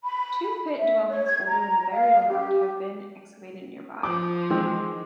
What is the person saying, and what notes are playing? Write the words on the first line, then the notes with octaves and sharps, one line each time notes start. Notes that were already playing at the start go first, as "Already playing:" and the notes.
Two pit dwellings older than the burial mound have been excavated nearby.
B5
E5
C#5
G#6
A#5
F5
G4
F3 D6
D#3 E3 G#3 C4